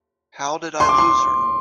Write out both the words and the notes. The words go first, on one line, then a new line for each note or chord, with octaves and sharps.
How did I lose her?
C6
D6
C6